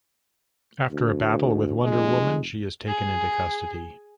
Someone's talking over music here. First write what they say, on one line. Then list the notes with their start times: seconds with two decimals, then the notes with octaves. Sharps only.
After a battle with Wonder Woman, she is taken into custody.
0.90 D2
1.84 F1 G#3
2.87 G#4